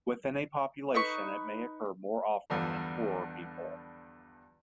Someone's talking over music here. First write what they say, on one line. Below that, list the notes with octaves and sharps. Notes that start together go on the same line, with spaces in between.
Within a population it may occur more often in poorer people.
D#4 B4 C#6
E2 G2 D3 F3 G3